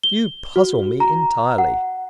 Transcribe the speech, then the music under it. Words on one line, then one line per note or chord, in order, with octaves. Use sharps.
"You puzzle me entirely."
G7
F#4
A#5
F#5